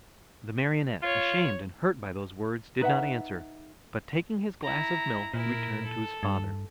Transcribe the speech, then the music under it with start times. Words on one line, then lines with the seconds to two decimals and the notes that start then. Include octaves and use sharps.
The Marionette, ashamed and hurt by those words, did not answer, but taking his glass of milk returned to his father.
1.03 F4 C#5
2.81 D#4 B4 E5 F#5
4.62 E4 A#5
5.34 A#2 E4 A#4
5.85 A4
6.23 G2